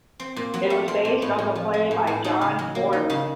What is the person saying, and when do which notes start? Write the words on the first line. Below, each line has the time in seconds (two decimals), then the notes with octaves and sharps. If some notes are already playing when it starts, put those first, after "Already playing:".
It was based on the play by John Mortimer.
0.20 C4
0.36 A#2
0.54 F#3
0.70 A3
0.88 C4
1.05 A#2
1.22 A2
1.39 A2
1.56 F3
1.74 G#3
1.91 A2
2.07 A2
2.24 D#4
2.41 C#3
2.59 F#3
2.75 A#3
2.93 D#4
3.10 C#3